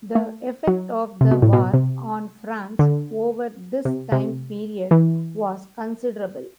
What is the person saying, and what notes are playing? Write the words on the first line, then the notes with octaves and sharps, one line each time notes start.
The effect of the war on France over this time period was considerable.
A3
F#3
C3
B2
A2
B2
C3
D3
C3
C3
E3